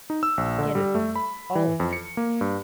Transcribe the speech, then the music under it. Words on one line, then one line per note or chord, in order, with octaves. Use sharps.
'Get it, then--all of you.
D#4
E6
A#1
D3
G3
A3
B5
E3
F2
C#7
A#3
G2